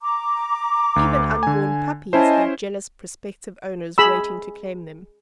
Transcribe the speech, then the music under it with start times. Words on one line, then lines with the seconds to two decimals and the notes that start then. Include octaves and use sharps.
Even unborn puppies had jealous prospective owners waiting to claim them.
0.01 A#5 D6
0.96 D2
1.43 D3 G#5
2.13 C#4 E4 C5 D#5 G#5 A5
3.98 G#4 B5 E6